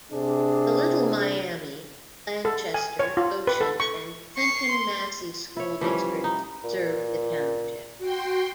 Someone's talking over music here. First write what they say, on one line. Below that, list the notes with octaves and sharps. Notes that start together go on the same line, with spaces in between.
The Little Miami, Blanchester, Goshen, and Clinton Massie school districts serve the township.
C3 D4 G#4
A4
G#5
C#5
F4
B4
A4
C#6
C#6 C7
C6
E4 C#5
E3 F3 G3 C#4
D#4
A#2
F#4 G5 C6